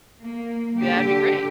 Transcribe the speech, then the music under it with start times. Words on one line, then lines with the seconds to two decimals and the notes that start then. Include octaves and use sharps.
That'd be great.
0.22 A#3
0.78 D3 G4